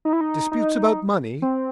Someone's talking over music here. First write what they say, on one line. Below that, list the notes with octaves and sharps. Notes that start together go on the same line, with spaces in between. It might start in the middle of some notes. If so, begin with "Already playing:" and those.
"Disputes about money?"
D#4
E4
D#4
D#4
C4